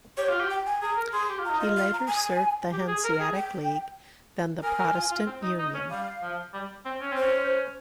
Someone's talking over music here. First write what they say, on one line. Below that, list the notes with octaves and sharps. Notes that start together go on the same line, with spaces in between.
He later served the Hanseatic League, then the Protestant Union.
G4 C#5
F4
G4
G5
G#5
G#4 A#5
A#4
G#4 C6
G4
F4
A#5
D#4
F4 D#5
F5
A#5
G#5
G4
G#4
A#4
G#4
G5
A#4 G#5
A#4
F4
F4
C4
D#4
D#4
C#4
G3 F5
F3
G3
C4
C#4
C4
C5
C#4